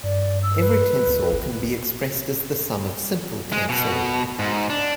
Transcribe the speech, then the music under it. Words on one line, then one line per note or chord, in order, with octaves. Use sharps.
Every tensor can be expressed as a sum of simple tensors.
G2 D5
E6
B4
D2
G#1
G#3
B2
G#2
D4